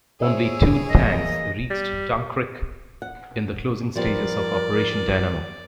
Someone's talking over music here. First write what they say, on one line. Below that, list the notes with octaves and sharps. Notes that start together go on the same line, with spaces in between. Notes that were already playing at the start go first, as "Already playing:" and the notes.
Only two tanks reached Dunkirk in the closing stages of Operation Dynamo.
A2 E4 G#4 C5 C#5 E5 E6
E3 A#3 D#5
G3
F#5
F3 G3 B3 A#4 D5